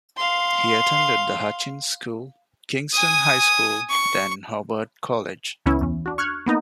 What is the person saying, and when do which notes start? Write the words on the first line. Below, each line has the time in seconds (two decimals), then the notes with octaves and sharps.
He attended the Hutchins School, Kingston High School, then Hobart College.
0.17 F5 C6
2.93 G#5 D#6
3.89 C#6
5.66 C#2 E3 B3 C#4 E4
5.81 E2 C#4
6.06 D4 F#4
6.18 C#6 F6 F#6 G#6
6.46 A#3 B3 D#4 D#5